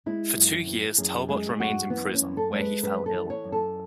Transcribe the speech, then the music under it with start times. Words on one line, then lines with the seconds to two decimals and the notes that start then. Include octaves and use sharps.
For two years Talbot remained in prison, where he fell ill.
0.06 G#3 E4
0.37 F#2
0.67 E3
0.98 F#2 G#4
1.28 G#3 G#4
1.50 G#4
1.59 F#2 F#4
1.90 E3 B3
2.14 C#4
2.21 F#2
2.37 A4
2.52 G#3 C#5
2.61 B4
2.83 F#2 B4
3.06 A4
3.14 E3
3.30 C#5
3.44 F#2
3.52 A4